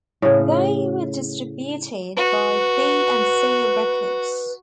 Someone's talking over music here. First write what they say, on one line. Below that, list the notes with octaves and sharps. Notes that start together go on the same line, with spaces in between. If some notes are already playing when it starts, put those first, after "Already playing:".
They were distributed by B and C Records.
A2 C#3
F#4 B4